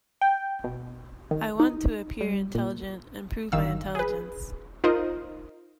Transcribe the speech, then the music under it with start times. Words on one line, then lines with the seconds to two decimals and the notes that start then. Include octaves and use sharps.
I want to appear intelligent and prove my intelligence.
0.21 G5
0.64 B2
1.31 D#3
1.60 D#4
2.21 G3
2.55 A#2
3.52 G1 D#3 F5 E6
3.95 G#4 B4
4.84 D#4 F4 A#4 C5 D#5